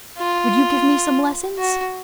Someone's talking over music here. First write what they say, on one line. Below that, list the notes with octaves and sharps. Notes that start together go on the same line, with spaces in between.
Would you give me some lessons?'
F4
F#4